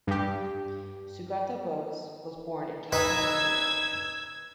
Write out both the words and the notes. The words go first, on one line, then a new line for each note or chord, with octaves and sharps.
Sugata Bose was born in Calcutta, India.
G2 G4
D#4 B4 E6 G#6